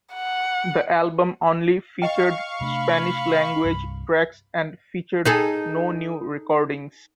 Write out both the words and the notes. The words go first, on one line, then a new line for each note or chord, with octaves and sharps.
The album only featured Spanish-language tracks and featured no new recordings.
F#5
D#5 F5 G5 C#6
C3 A3 D4 B5
C2 G2
D#4 G#4 A4